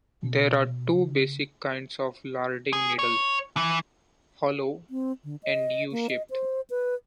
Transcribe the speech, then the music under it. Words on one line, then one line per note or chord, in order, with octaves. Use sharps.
There are two basic kinds of larding needle, hollow and U-shaped.
B2
C#3
G#4
C#5
E3
C4
D3
D#5
A#3
D#5
C5
B4